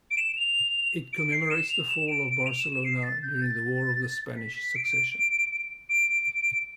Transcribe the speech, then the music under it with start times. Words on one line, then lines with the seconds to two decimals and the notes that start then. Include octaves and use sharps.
It commemorates the fall of Barcelona during the War of the Spanish Succession.
0.10 D7
0.17 E7
0.36 F7
1.12 D7
1.32 C7
1.50 E7
1.69 F7
1.89 E7
2.08 D7
2.27 D7
2.46 F7
2.59 E7
2.72 E7
2.84 C7
3.03 A6
3.22 G6
3.41 A6
4.36 B6
4.55 B6
4.75 D7
5.89 D7